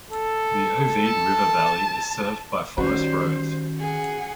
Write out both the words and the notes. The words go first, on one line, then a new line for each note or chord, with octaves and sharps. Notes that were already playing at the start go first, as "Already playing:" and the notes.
The Ovide river valley is served by forest roads.
A4
A5
D#3 G3 C#4 F#4 C5
G#4 F#5